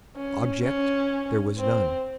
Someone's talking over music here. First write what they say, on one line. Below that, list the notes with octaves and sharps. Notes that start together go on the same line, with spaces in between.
Object there was none.
C#4
C#4
C4